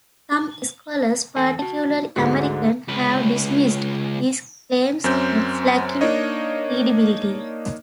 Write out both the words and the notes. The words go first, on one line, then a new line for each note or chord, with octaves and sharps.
Some scholars, particularly American, have dismissed these claims as lacking credibility.
E2 A4 G#5
F#4 A5
D2 G#2 D3 F#4
C#2 B4
F#2 C4 C#4 G6
A#3 D4 D#4 C#5 D#5